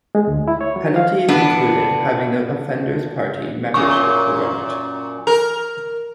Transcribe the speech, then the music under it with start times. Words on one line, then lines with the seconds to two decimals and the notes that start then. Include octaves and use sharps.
Penalties included having the offender's party membership revoked.
0.15 G#3
0.27 D2
0.48 E4
0.61 C#5
0.76 F#3
0.96 F5
1.28 A2 B3 D4
3.74 F#2 A#2 C#6
5.27 A#4